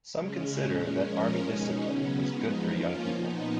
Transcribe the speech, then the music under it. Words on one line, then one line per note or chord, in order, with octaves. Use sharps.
Some consider that army discipline is good for young people.
C#3 G#3 C#4
A#2 G#3 C#4
F3 G#3 C#4 A#4
B2 G#3 C#4 D#4
C#3 F#3 B3 C#4
F3 G#3 B3 D#4
F3 A#3 C#4 F4
A#2 F3 B3 D#4